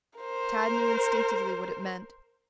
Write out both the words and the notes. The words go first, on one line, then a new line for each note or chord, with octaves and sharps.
Tad knew instinctively what it meant.
A#4 C5